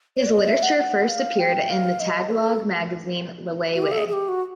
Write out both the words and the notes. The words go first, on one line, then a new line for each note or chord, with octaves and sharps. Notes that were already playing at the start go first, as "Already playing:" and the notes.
His literature first appeared in the Tagalog magazine, "Liwayway".
C#5
D5
D#5
E5
F#5
F#5
F5
G5
F5
D#5
A4
F#4
G4
A4
G#4
G#4
G4
F#4